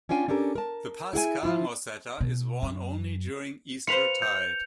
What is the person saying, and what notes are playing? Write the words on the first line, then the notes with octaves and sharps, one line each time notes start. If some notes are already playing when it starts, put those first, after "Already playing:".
The Paschal mozzetta is worn only during Eastertide.
C#4 D4 F4 G5 G#5
C#4 D4 G4 A4 A#4
A#4 A5
E4 G#4 F#5 G#5
F3 E4 F4
B2
F#2
F4 B4 C5 C#7 F7
G6